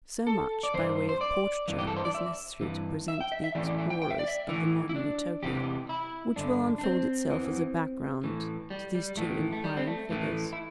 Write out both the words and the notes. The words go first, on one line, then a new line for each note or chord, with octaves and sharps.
So much by way of portraiture is necessary to present the explorers of the Modern Utopia, which will unfold itself as a background to these two enquiring figures.
A4
D5
G2 E3 C5
C5
D5
G2 E3
G4
A4
C5
D5
E5
G2 E3
E5
G5
E5
E5
A2 E3 D5
D5
E5
G5
G5
E5
D5
E5
A2 E3 E4
E4
D4
E2 C3 E3 G4
E4
G2 D3 D4
D4
C4
E2 E3
A2 E3
G3
G3
A2 E3 A3
A3
G3
C4
A3
A2 E3 A3
E4